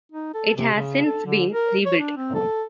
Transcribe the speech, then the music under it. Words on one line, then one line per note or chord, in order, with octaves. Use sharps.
It has since been rebuilt.
D#4
A4
C3
C#3
A4
D3
A#4
C#5
D4
C4
A4